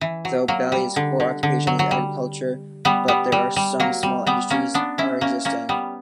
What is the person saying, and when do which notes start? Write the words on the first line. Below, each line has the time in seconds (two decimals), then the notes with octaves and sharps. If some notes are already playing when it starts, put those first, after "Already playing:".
Though Ballia's core occupation is agriculture but there are some small industries are existing.
0.01 E3
0.25 F#3
0.48 F#3 A#3
0.72 G3
0.96 D3
1.20 D3
1.43 D3
1.67 F#3
1.79 F#3
1.91 G3
2.85 G3 B3
3.08 G3 B3
3.32 G3
3.56 G3
3.80 F#3 A#3
4.03 G3
4.27 G3 B3
4.50 A#3 C#4
4.74 B3 D4
4.98 C#4 E4
5.21 A#3 C#4
5.45 A#3 C#4
5.69 G3 B3